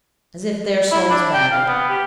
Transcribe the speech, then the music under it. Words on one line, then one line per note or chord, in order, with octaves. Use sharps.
As if their souls mattered.
E4
D4
G5
F5
B3
G4